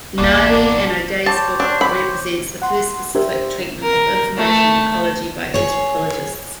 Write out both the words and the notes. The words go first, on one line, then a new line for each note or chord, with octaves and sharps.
Nardi and O'Day's book represents the first specific treatment of information ecology by anthropologists.
A1 D2 B2 A#3 D4 D5
G4 C5 C#5 A5
D4
B5
F#5 C6
D4 G4 A#4 C5 E5
A#4
A3
G#4 C#5